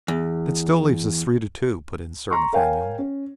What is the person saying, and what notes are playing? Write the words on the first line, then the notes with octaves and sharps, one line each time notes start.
"That still leaves us three to two!" put in Sir Nathaniel.
E2
A#5 C6 C#6
A#4 C#5 F5 G5 G#5
C#4